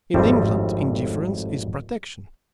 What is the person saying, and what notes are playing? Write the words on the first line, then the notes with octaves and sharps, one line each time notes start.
In England, indifference is protection.
G#1 F2 A2 G3 C4 A5